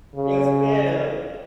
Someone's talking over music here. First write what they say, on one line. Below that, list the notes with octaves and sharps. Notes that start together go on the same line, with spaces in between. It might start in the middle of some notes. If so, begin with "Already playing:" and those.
Yes, ma'am.
C#3